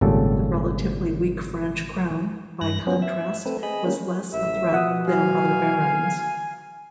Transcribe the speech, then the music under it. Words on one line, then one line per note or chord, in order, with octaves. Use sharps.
The relatively weak French crown, by contrast, was less a threat than other barons.
G#1 A#2 C#3 G3 A4
G2 F#6 A#6
F3 F#3 B3 C#4
E5
A3 C4 B4
G#4 D#5 B5
G3 A#3 C#4
A1 E5
B2 F3 F#5 D#6
F#3 F5 G#5